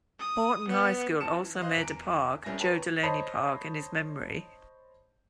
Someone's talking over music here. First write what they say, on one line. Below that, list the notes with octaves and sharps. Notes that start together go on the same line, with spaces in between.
Haughton High School also made a park, Joe Delaney Park, in his memory.
D#6
B3
F#3 C4 A5 F6 C#7 E7
E3
C5 D#5 F5 C6 F#6
E2 A#4 D7
C2 G3 C#4 E5 G#5 A#6
A#4 B4 C#5 G5 A5
C5 C#5 D#5 A5 B5